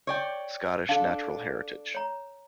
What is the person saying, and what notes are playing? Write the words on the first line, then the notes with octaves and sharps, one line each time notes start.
Scottish Natural Heritage.
C#5 D5 G5
D4 A4 F5
C#5 A#5